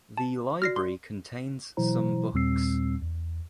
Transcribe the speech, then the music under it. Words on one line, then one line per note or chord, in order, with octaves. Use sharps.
The library contains some books.
A5
F#4 D5 F6 A#6 C7
C6
B2 E3 F#3 E4 C5 A#5
D#2 A#2 G3 C4 E6 C7
E2